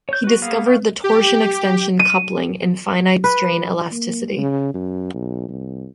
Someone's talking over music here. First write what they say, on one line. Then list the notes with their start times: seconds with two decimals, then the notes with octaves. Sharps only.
He discovered the torsion-extension coupling in finite strain elasticity.
0.09 C#5 G6
0.24 F#4 B4
0.42 A#3 B3 G#4 F5
0.67 C#5 F5 G5
1.04 G4
1.99 D#7
3.24 B4
3.92 A#3
4.37 C#3
4.74 F#2
5.14 B1
5.49 C2